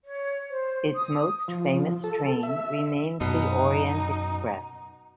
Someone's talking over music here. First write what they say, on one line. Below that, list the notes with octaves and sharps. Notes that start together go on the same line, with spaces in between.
Its most famous train remains the Orient-Express.
C#5
C5
D#6
F3
A4
E5
F#2 B2 D#4 A#5